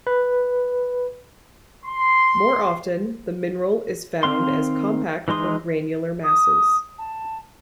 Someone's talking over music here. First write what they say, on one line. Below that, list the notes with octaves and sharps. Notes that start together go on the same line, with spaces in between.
More often the mineral is found as compact or granular masses.
B4
C6
D#3 C4 F5 C6
E3 G#3 D#4 C6 D#6
D#6
A5